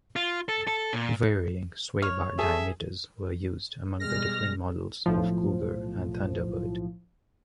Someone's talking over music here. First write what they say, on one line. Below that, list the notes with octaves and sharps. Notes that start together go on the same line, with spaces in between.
Varying sway bar diameters were used among the different models of Cougar and Thunderbird.
F4
A4
A4
A#2
C#5 F6
G#4 A4 E5
B2 G3 G#3 F6 A#6
B1 A2 F3